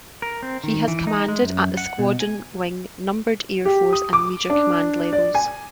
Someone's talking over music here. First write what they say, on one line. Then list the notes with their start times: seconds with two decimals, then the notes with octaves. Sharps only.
He has commanded at the squadron, wing, numbered air force and major command levels.
0.22 A#4
0.42 C4
0.64 D#3
0.88 E3
1.07 D#4
1.28 G#3
1.42 F#2
1.77 F#5
1.99 B2
2.20 G#5
3.65 G4
3.93 D#6
4.13 D6
4.50 D4
5.13 D5
5.34 G#5